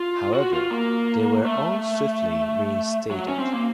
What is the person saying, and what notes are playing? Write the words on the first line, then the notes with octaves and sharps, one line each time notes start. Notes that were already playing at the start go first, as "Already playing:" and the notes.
However, they were all swiftly reinstated.
Already playing: F4
F#4
F4
A#3
A3
F#3
C#4
C4
A#3